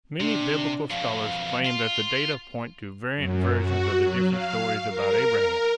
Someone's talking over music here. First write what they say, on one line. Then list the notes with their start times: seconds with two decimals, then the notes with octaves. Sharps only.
Many Biblical scholars claim that the data point to variant versions of the different stories about Abraham.
0.20 C3 D4
0.91 F2 B2 F5
1.65 F4
3.16 F#2
3.57 F#4
3.99 F#3
4.28 F5
4.88 A#4